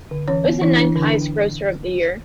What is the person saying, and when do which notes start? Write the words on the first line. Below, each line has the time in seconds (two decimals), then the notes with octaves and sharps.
It was the ninth highest grosser of the year.
0.11 D3
0.28 E3 C#4 C#5
0.44 B3
0.61 E3 E4
0.76 E3 D4
0.96 D3
1.03 D4